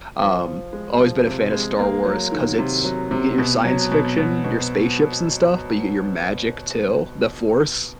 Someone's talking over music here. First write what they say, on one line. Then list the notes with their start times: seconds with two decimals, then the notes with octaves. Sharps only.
Um, always been a fan of Star Wars 'cause it's you get your science fiction, your spaceships and stuff, but you get your magic too, The Force.
0.20 F3
0.46 F3
0.73 G#3
0.99 F3
1.26 C3
1.52 G#3
1.79 A#3
2.05 F#3
2.32 D#3
2.59 C3
2.84 F#3
3.11 C3
3.38 B2
3.65 F#3
3.91 B2
4.18 B2
4.44 B2